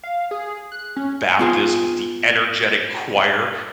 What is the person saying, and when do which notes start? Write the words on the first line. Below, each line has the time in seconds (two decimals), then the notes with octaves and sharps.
Baptist with the energetic choir.
0.03 F5
0.31 G#4
0.72 F#6
0.96 C#4
1.39 B3 F4 G#4 G5